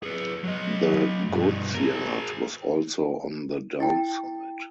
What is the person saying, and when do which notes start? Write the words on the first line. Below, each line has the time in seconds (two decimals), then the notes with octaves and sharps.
The goods yard was also on the 'down' side.
0.03 G#4 B4
0.44 F#3 D#5
1.30 G2 B2
1.75 G#4 A#4
3.80 E4 G5